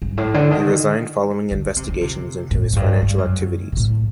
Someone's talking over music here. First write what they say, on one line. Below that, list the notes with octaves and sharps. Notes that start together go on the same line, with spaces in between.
He resigned following investigations into his financial activities.
G2
A2
D3
D#3
D3
C3
D3
C3
A2
F#2
G2
G2
F#2
A#2
A2